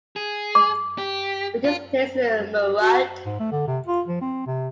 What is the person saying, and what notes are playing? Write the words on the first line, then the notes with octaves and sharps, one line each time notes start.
Which is placed in murud.
G#4
D6
G4
F4
F#4
G#2
A3
D3
C3
F4
F3
C4
C3